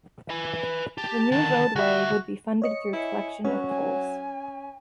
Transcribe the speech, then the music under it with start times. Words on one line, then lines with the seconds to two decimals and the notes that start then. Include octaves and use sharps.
The new roadway would be funded through collection of tolls.
0.30 B4 G#5
0.98 G4 A5
1.32 D3 D#3 A5
1.76 D2 F#4 E5
2.62 C#5 D#5 C#7
2.93 E4 G#5
3.45 F#3 C#4 B4 C#5
3.68 G#5